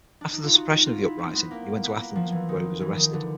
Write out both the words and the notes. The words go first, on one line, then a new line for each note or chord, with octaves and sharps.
After the suppression of the uprising, he went to Athens where he was arrested.
D4
D#4
F4
F#4
F#4
F4
E4
C4
B3
A#3
B3
A#3
F3
E3
D#3
E3
D#3
D3